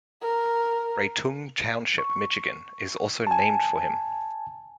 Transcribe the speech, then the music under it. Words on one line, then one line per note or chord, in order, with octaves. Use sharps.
Breitung Township, Michigan is also named for him.
A#4
C#6
G#5 A5